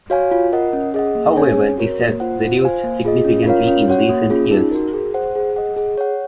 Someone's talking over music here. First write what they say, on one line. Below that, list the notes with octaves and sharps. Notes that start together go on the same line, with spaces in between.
However this has reduced significantly in recent years.
F#4 C#5 F5 G#5
F4
A#4 D#5 F#5
C#4
G#4 D#5 F#5
A#3
C#4 G#4 C#5 G#5
C4
F#4 A#4 C#5
A#3
F4 C5 F#5
F4
C5 F5 G#5
A#3
F4 G#4 D#5
C#4
F4 A#4 C#5 F5
C#4
F#4 C#5 F#5
A#3
C#4 F4 G#4
D#4
F#4 A#4
G#4
C5 F#5
G#4
D#5 F#5
G#4
C#5 F#5